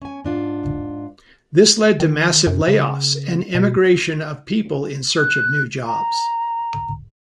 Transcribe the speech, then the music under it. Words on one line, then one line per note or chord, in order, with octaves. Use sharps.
This led to massive layoffs, and emigration of people in search of new jobs.
C#4 G#5
G#2 D4 F4
D#3
F#2
C#3
B2
F#6
A#5